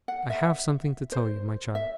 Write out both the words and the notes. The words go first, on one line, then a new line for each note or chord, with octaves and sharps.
I have something to tell you, my child.'
F#5
E5
C5
E5